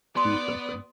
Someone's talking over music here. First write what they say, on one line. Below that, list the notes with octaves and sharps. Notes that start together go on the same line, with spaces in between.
Do something!
B3 F#4 D5 C6 D#6